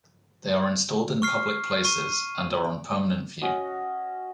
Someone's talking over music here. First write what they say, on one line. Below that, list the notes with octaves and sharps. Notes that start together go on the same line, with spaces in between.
They are installed in public places and are on permanent view.
C#6 F6 C7
C#6 D#7
D6
C#4 F#4 D#5